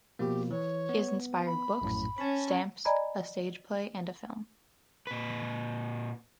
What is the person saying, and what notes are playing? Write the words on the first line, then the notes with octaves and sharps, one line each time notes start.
He has inspired books, stamps, a stage play and a film.
B2 F3 A#3 G4
E3 C#5
B3
B5
A#1 F#2 A2
C#4 A5 B5
D5 D#5 G#5 A#5 B5 G#6
A#2 B4